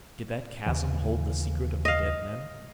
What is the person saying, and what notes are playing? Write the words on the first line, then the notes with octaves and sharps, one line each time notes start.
Did that chasm hold the secret of the dead men?
D#2 C#3 E3
D#5 F5